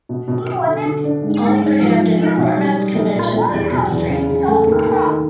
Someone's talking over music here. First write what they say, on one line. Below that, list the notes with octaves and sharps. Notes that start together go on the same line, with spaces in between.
All three have different formats, conventions and constraints.
B2
B2
B2
D3
D3
D4
G#2
G#2
G#2
F3
F3
D#4
B2
G3
G3
B1
A#2
B1
E2
B2
E2
C#3
C#3
A3
D#2
D#2
D#3